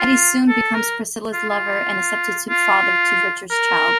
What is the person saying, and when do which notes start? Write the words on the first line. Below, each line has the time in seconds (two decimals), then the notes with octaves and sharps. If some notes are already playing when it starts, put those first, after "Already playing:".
Eddy soon becomes Priscilla's lover and a substitute father to Richard's child.
Already playing: F4
0.48 A4
0.74 A#4
1.33 F4
1.50 F4
2.50 F4
3.51 A#4